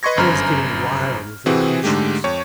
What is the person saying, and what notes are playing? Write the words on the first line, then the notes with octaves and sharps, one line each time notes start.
I was getting wild with impatience.
B4 D#5 C6 C#6 G#6 A#6
G1 F#2 C5 A#5 B5 F6
C3 E3 C4 F#4 G#4
G#2 D3 G#3 A3 G4
F2 C#5 C#6